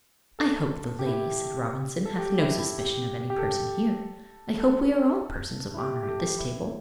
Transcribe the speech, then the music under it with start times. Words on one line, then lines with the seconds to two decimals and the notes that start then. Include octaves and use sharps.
"I hope the lady," said Robinson, "hath no suspicion of any person here. I hope we are all persons of honour at this table."
0.39 A4
0.99 G4
1.06 E4
1.14 G4
2.05 A4
2.19 G4
2.39 E4
2.59 E4
2.78 G4
3.30 G4
3.38 A4
4.58 A4
5.74 E4
5.78 G4
6.03 G4
6.08 A4
6.38 E4